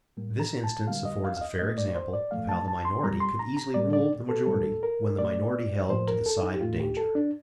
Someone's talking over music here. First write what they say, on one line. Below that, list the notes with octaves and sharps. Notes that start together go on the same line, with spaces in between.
This instance affords a fair example how the minority could easily rule the majority when the minority held to the side of danger.
A2 G3 A#3
A#5
A5
D3 G3 A#3 F5
D#5
F5
F5
D#5
A2 A3 D#5
D5
C5
D5
A#2 F3 A3 F5
A5
A5
C6
A#2 G3 A#3 A#5
C6
A#5
A#5
A2 G3 A#3 D5
D5
A4
A#2 G3 A#3 A4
A#4
A#2 A3 D5
A2 F3 A#3 C5
A#4
A4
D#4
G4
A2 A3 F4
G4
A4
D4